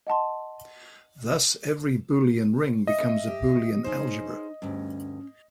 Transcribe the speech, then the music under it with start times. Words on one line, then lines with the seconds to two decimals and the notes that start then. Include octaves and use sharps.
Thus every Boolean ring becomes a Boolean algebra.
0.07 D#5 F#5 A5 C6
2.87 D#5 E5
3.27 G4
3.84 C#4 D#4 G#4 C5
4.62 D2 G2 C#4